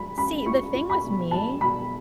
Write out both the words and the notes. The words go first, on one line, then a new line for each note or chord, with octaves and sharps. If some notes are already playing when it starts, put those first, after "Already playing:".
See, the thing with me
Already playing: F#3 B5
C#4 B5
F4 C#6
F4
B5
B2
F#3 A5
B2 B5